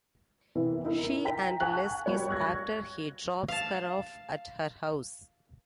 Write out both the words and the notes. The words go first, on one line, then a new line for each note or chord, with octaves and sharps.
She and Les kiss after he drops her off at her house.
C3 E3 B3 A#4 E5
D#4 E4 A#4
G5 A#5 B6
F5 F#5 G#5 A5 C#6 F#6
G3 F#4 G4 A#4 C#5
C#6 F#6 G#6 A#6
F5 A5